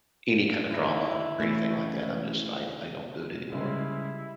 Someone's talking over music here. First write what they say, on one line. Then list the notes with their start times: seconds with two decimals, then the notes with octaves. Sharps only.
any kind of drama or anything like that, I'm just I I don't do it anymore,
0.71 D3 E3 D#4 E4
1.40 E3 A3 C#4
3.52 C#3 G3 G#3 E4